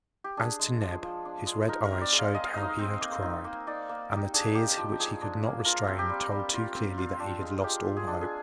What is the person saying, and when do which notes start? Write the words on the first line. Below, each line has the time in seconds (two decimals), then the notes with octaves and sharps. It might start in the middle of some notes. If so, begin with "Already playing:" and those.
As to Neb, his red eyes showed how he had cried, and the tears which he could not restrain told too clearly that he had lost all hope.
0.24 G4
0.37 D4 G#4
0.59 G#3
0.81 F3
1.03 F3
1.25 D4
1.47 G#3
1.68 D#4 A#4
1.85 A#4
1.92 C4
2.01 D5
2.12 G#3
2.19 F5
2.34 G#3 D#5
2.45 F5
2.54 D#4 D#5
2.79 C4
3.01 A#3
3.23 D#4
3.45 A#3
3.67 D#4 D5
3.89 A#3
4.11 D#4
4.16 G4
4.34 D4 G#4
4.55 A#3 G4
4.77 F3 G4
4.99 F3 G#4
5.22 D4
5.43 A#3
5.65 F4 A#4
5.87 C4
5.99 G4
6.09 G3
6.32 G3
6.54 F4
6.76 C4
6.98 F4
7.20 D4
7.42 G#3
7.64 G#3 G4
7.86 F4
7.97 G#4
8.07 D4
8.21 G#4